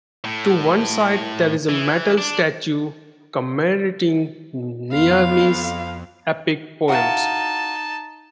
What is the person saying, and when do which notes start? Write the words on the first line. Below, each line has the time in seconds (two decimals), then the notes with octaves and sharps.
To one side, there is a metal statue commemorating Nizami's epic poems.
0.24 A2
1.69 E3
2.18 D4
4.92 F2 B3 F4 F5
6.88 D#4 E4 F#4 F5 A5